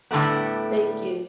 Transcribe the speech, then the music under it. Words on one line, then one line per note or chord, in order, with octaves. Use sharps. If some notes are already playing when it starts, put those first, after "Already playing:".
Thank you.
A2 D3 G3 A3 B3